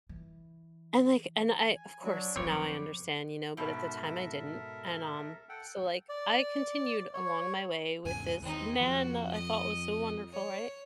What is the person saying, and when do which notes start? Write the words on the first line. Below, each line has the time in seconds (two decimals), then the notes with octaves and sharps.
And, like and I, of course, now I understand, you know, but at the time I didn't, and, um, so, like, I continued along my way with this man I thought was so wonderful, right?
0.09 E3
1.75 G#5
2.03 F#3 D4 F#4
2.36 F#2 F3 C4 B4 C#5 D6
3.57 G#2 B2 A4 A#4 E5
5.49 A4 F#5 G5
6.09 D5
7.14 C#5
8.05 E2 G#2 C#3 G#5
8.42 E2 D#3 C4 D#4
8.80 F2 F3 F#4
9.32 D#5
10.32 C#5